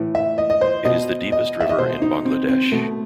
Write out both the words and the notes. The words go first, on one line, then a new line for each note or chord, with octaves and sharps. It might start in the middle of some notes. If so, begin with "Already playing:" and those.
It is the deepest river in Bangladesh.
Already playing: A2 E3
E5
D#5
D#5
C5
B2 D#5
D#5
E5
D#5
B2 C5
D#4
C4
C4
B2 A3